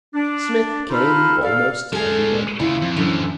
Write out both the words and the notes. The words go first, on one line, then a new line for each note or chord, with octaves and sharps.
Smith came almost every day.
D4
D#4 F4 A4 F5 B5
A4 D5 F5
G#3 G#4 A4 F5
D2 C#3 E4 F4
F2
F#2 A2 D3 E3 F3